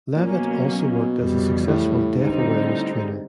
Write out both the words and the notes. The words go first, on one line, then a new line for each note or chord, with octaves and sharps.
Levitt also worked as a successful Deaf Awareness trainer.
A#2 F#3 A#3 C#4
B2
B2
F2 C#3 E3 G3
A2
G#2 D3 G3 C4 D#4
G2
F#2
G#2
A2
G#2